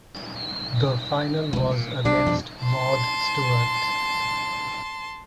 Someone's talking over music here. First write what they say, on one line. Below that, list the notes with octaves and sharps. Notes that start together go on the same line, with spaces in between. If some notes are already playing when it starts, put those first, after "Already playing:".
The final was against Maud Stuart.
F1 C#2
A#2
B1 B2 G3 D4
E2 F3 G3
A5 C6